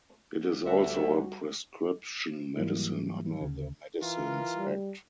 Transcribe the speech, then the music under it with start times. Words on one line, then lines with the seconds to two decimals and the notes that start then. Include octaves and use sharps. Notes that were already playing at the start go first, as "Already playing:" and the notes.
It is also a prescription medicine under the Medicines Act.
0.66 D2 G3 D4 F#4 E5
2.56 G#2 E3 F#3 G3 A#3 E4
3.41 D2 C#3
4.02 E3 F4 A#4
4.57 G3